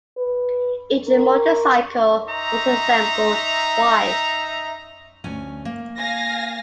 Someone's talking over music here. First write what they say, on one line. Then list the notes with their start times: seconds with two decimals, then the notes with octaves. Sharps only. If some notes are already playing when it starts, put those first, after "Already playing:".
Each motorcycle was assembled twice.
0.17 B4
1.08 A#4
2.28 D#4 E5 A#5
5.24 D2 C#4 G#5
5.65 A#3
5.98 F5 G#5 A#6